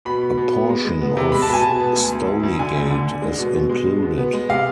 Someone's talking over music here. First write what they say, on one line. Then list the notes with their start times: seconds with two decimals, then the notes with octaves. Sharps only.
A portion of Stoneygate is included.
0.05 B2 B5
0.22 B2
0.37 B2
0.53 B3
0.69 G#3
0.85 G#3
1.02 B3
1.17 C3
1.32 G#3 B5
1.42 A5
1.48 B2
1.53 G#5
1.63 B2 A5
1.80 B3
1.96 D2
2.12 D2
2.27 D2
2.43 D2
2.59 D3 G#5
2.75 D2
2.91 D3
3.07 D3
3.22 G#3
3.38 B2
3.54 B2
3.69 G#3
3.86 G#3
4.02 B2
4.18 B3
4.33 G#3
4.49 C3 F5